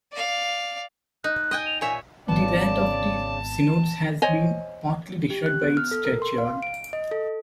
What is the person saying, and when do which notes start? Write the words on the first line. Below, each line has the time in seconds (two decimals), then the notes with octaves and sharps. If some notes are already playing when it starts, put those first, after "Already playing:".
The 'Rath of the Synods' has been partly destroyed by its churchyard.
0.12 D5 F5
1.24 D#4 F#6
1.51 D#5 G5 G#5
1.66 F7
1.81 A#2 C#5 E5 G#5
2.28 G#1 C#3 B3 D5 A5
4.22 C5 C#5 D#5 G#5
5.30 G4
5.46 F#6
5.62 B3
5.77 F6
5.91 A4
6.05 A#4
6.22 C6
6.38 F5
6.62 D7
6.93 D#5
7.11 A4